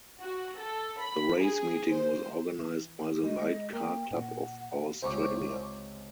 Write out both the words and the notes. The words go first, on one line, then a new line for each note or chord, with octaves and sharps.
The race meeting was organised by the Light Car Club of Australia.
F#4
A4
B5
G#4
C5
E3
G#3 D#5
A#3 G5
A#2 F#5
C#2 C3 C#4 C5 C#6 D6